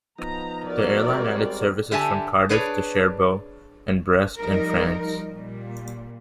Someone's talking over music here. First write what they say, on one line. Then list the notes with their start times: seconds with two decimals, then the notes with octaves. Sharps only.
The airline added services from Cardiff to Cherbourg and Brest in France.
0.18 F3 B3 D#4 A#5
0.67 F#4 A#4 D5
1.15 G3 G#3 C4
1.92 D3 G4 E5 G#5 A5
2.49 D4 G#4 B4 C#5 D5
4.39 F3 G3 D#4 A#4
5.34 A#2 G3